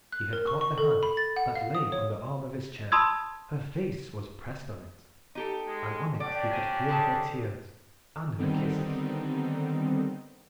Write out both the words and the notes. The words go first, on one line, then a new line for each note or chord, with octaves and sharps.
She had caught the hand that lay on the arm of his chair, her face was pressed on it, and on it he could feel her tears and her kisses.
F#6
A#4
C#6
C#6
A4
B5
A6
F#5
F5
D#6
C#5
A5 B5 C6 D#6 E6 G#6
D#4 G4 A4
G#3
C#4 D4 G4 D5
C5 G#5
D3 G#4 A5
D3 D#3 G3 B3 C4 D#4